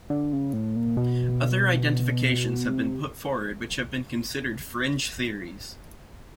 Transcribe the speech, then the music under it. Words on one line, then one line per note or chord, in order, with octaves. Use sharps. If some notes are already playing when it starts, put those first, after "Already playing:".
Other identifications have been put forward which have been considered fringe theories.
D3
C#3
A2
A#2
B2
C3